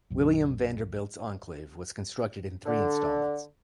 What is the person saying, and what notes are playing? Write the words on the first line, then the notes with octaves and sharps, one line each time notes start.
William Vanderbilt's enclave was constructed in three installments.
B1 F#2
D3